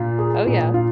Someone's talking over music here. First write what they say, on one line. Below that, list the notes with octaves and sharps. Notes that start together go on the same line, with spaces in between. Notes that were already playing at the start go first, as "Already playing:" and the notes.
Oh, yeah.
Already playing: A#2 F4
G#4
A#2
F4